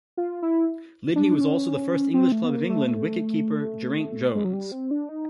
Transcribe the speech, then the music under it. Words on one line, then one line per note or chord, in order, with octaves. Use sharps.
Lydney was also the first English club of England wicket-keeper Geraint Jones.
F4
E4
D4
D4
C#4
C4
A3
B3
A#3
A3
A3
G#3
F#3
G3
C4
D4
D#4